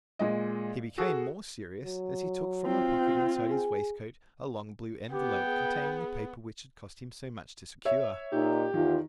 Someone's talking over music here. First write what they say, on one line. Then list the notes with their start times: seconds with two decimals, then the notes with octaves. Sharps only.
He became more serious as he took from a pocket inside his waistcoat a long blue envelope containing the paper which had cost him so much to secure.
0.19 A#2 G#3 D#5
0.98 F#4 G#4 A4
1.82 F#3
2.66 C4 F4
3.50 G#4
5.13 B3 G4 G5
5.45 G#4
7.85 C#5 E5
8.32 A#2 D#4 G4
8.74 E2 D#3 F4